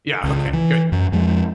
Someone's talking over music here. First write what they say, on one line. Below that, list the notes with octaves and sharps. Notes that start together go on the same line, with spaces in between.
Yeah, okay, good.
C#2
E3
F#2
F2 F3 G#3